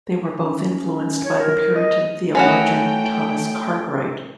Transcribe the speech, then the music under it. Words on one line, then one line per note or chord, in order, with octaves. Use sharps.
They were both influenced by the Puritan theologian Thomas Cartwright.
C#4
C#5
A#4
D#5
E3 A3 C#4 F#4 G5